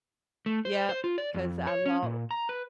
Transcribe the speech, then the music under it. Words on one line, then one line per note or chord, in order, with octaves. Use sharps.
Yep. 'Cause I los
A3
C5
C5
F4
D5
F2
C#5
C#4
A#2
A#5
B4